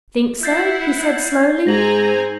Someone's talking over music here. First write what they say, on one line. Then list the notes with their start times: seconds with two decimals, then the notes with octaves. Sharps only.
"Think so?" he said slowly.
0.43 E4 F#5 G6 A6 C7
1.67 G#2 G#3 C4 G#5 A#5 A#6 F#7